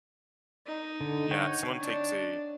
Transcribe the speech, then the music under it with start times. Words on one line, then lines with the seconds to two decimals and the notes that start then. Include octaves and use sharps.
Yeah, someone takes a
0.66 D#4
1.01 D3
1.31 C#5 F#5 G5
1.80 D4